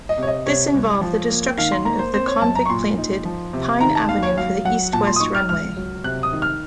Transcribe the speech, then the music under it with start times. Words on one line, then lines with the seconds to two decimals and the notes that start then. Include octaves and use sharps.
This involved the destruction of the convict-planted Pine Avenue for the east-west runway.
0.09 D#5
0.18 C3
0.23 C#5
0.28 D#5
0.46 C3 C#5
0.74 C2
1.01 F3
1.30 A#3
1.58 D#3 F5
1.72 C6
1.85 A#3 A#5
1.99 C5
2.14 C4 C5
2.27 C#5
2.42 F#2 A5
2.55 A#5
2.65 C#6
2.69 A#2 C6
2.98 D#4
3.25 F3
3.53 C3
3.81 D#3 A#5
3.95 A5
4.09 D#2 F5
4.23 C#5
4.37 F#3 F5
4.65 F#3 F#5
4.93 A#2 A5
5.07 C6
5.16 D#6
5.20 D#4 C#6
5.35 F6
5.49 C#2 F6
5.77 F#3
6.04 C3 F#6
6.23 D#6
6.33 D#3
6.42 F6